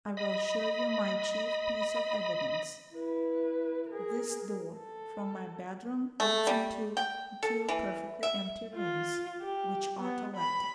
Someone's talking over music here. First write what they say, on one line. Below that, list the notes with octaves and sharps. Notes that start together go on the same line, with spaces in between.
I will show you my chief piece of evidence: this door from my bedroom leads into two perfectly empty rooms, which are to let.
D#5 B5
E4 B4
G#4 A#4
A4
A3
G3
G5
A4
E3
E5
F4
G4
B3
B5